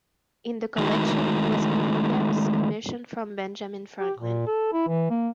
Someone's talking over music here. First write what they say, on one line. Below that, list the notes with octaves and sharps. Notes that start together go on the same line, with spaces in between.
In the collection was Conyngham's commission from Benjamin Franklin.
D#3 G#3 A3 D#4 E4 F#4
G4
A#2
A4
E4
E3
A#3